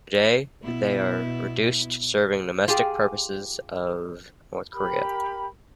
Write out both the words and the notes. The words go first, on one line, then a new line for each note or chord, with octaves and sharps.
Today, they are reduced to serving domestic purposes of North Korea.
B2 B3 E4
F4 G4 G#4
G4 A#4 B5